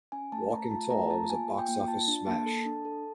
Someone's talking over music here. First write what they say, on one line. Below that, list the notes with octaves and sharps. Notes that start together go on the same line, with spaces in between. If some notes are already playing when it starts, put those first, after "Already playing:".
"Walking Tall" was a box office smash.
C#4 G#5
A3 A5
A3 A#5
F4 A5
A3 A#5
F4 A5
A#3 G#5
F4
G5
A#3
F4 A5
D4
A#3 A5
A4
D4
A4